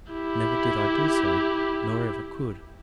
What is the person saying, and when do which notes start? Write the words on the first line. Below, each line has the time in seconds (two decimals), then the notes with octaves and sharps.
Never did I do so, nor ever could.
0.12 E4 G4